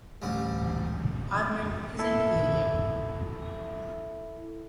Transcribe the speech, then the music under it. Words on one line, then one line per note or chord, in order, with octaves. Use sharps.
Armand isn’t here yet.
A1 D2 G3
E4 A4 E5